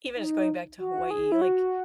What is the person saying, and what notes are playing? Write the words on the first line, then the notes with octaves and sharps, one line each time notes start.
even just going back to Hawaii, like,
D#4
F#4
G#4
E4
F#4